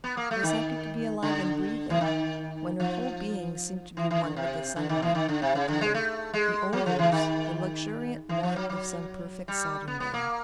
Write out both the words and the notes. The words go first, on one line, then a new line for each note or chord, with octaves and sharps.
She was happy to be alive and breathing, when her whole being seemed to be one with the sunlight, the color, the odors, the luxuriant warmth of some perfect Southern day.
B3
A#3
A3
D#3
D3
E3
D#3
F3
E3
E3
D3
C3
D3
D#3
E3
D#3
D3
C3
C#3
D3
G#3
A3
G#3
F#3
F3
E3
D#3
E3
F3
F#3
F#3
G3
B3
B3
A#3